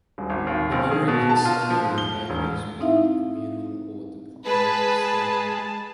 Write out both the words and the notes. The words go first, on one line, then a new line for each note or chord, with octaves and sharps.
The memory concerning it rarely goes beyond the communal or departmental scale.
D#1
G#1
D#2
A#1
G#4
B2
A5
F4
F3
G#2
G7
E1
C4 D#4 E4 E5 F5
G#3 B4 A5